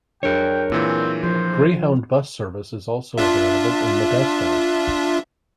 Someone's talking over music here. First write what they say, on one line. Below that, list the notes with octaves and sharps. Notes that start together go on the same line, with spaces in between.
Greyhound bus service is also available in Modesto.
F#3 D4 G#4 A#4 C#5 G5
A#2 E3 C4
F3 C5
D4 F4 E5